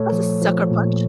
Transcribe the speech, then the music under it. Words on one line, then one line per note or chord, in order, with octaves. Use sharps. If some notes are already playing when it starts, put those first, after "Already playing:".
That's a sucker punch.
Already playing: A#2 A3 A4 C#5
F3
F3
A#2